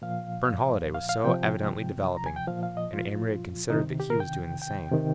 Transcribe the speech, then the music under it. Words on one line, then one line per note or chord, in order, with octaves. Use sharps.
Burne Holiday was so evidently developing--and Amory had considered that he was doing the same.
A#2 F3 F5
F5
F5
C3 F3 G5
A#5
G#5
G5
A#2 F3 F5
F5
D#5
F4
C3 D#3 D#4
G4
A#4
G5
G5
C3 D#3